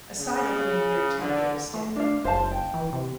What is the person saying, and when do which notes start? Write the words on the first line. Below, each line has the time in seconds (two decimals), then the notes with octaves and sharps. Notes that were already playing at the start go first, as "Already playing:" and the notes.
A side-opening rear tailgate was standard.
0.19 C#3
1.19 D3
1.74 A3
1.96 D4 F5
2.24 F#1 C5 F5 A5
2.51 G5
2.74 E3
2.93 C3